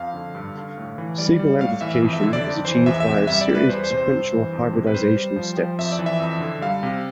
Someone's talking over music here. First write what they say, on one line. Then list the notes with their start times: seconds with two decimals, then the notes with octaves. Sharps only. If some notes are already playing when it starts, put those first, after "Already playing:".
Signal amplification is achieved via a series of sequential hybridization steps.
Already playing: F2 F5
0.14 D3
0.35 G2
0.55 D3
0.78 A2
0.98 E3
1.18 G3 D5
1.39 G3
1.60 A2 F5
1.81 E3 E5
2.02 F2
2.13 E5
2.23 D3
2.33 D5
2.44 F2
2.65 E3 C5
2.86 E2 E5
3.00 E5
3.06 C3
3.14 E5
3.27 G3 E5
3.41 D5
3.48 G3
3.55 B4
3.69 E2 C5
3.84 C5
3.90 C3
3.97 C5
4.11 G2
4.32 E3
4.53 F2
4.73 C3
4.87 B4
4.94 G3 C5
5.15 G3
5.36 F3
5.57 F3
5.78 F2 E5
5.92 D5
5.99 E3
6.06 E5
6.20 F2
6.40 D3
6.61 G3 F5
6.83 C3